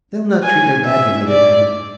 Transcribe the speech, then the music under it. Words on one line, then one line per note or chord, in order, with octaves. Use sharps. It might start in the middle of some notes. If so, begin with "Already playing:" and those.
They'll not treat her bad, yer may depend.
G#5
E5
D5